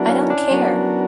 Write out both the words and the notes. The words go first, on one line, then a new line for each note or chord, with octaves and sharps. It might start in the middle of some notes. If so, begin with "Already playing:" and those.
I don't care!
Already playing: F#3 B3 D4 E4 F#4 A#4
C#4
D4
F#3 B3 F#4 A#4